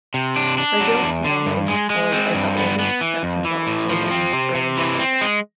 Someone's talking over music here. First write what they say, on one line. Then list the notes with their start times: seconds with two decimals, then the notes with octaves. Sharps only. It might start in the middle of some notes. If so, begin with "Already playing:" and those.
Regular small raids followed over August, September, October and early November.
0.14 C3
0.36 D4
0.58 D4
0.80 F#3
1.02 E2
1.24 D3
1.46 G2
1.68 G#3
1.90 G#3
2.12 C4
2.35 G2
2.57 B3
2.79 B3
3.01 E3
3.23 F2
3.45 E3
3.67 A2
3.89 F3
4.11 C4
4.33 C3
4.55 C3
4.77 E3
4.99 C4
5.21 G#3